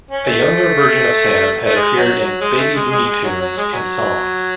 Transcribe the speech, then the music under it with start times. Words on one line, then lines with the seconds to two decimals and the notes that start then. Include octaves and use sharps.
A younger version of Sam had appeared in "Baby Looney Tunes", in songs.
0.11 C#4
0.26 A3
1.66 A3
1.75 G#3
1.97 F#3
2.19 F#3
2.41 G#3
2.58 A3
2.75 G#3
2.91 G#3
3.07 G#3
3.24 F#3
3.41 F#3
3.57 G#3
3.73 F#3